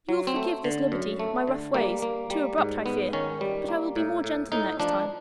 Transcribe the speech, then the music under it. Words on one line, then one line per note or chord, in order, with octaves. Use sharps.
If you will forgive this liberty,--my rough ways,--too abrupt, I fear--but I will be more gentle next time.
F#3
C4
A3
D3
F#2
A3
D3
G3 A#3
A#3
G3
G#2
G#2 B3
D#3 C#4
G3
A#3
A2
A2
A2 D#4
F3 D4